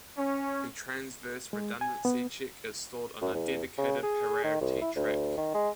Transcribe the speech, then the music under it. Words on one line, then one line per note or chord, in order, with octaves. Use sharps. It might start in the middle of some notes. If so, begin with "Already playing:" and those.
The transverse redundancy check is stored on a dedicated "parity track".
C#4
G#3
G#5
B3
F#2
E2
C#3
G#4
D#3
C2
E4
D2
D#3
G#3